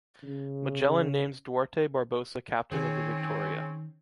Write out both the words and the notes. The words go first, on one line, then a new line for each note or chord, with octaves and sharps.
Magellan names Duarte Barbosa captain of the “Victoria”.
C#3
D#3 C4 C#4 G#4 C#5